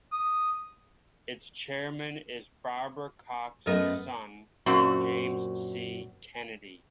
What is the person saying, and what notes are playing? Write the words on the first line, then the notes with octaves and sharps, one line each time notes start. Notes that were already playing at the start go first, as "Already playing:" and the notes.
Its chairman is Barbara Cox's son, James C. Kennedy.
D#6
F#2 A3 B3 A4 A#4 D#5
F#2 A#2 C4 F#4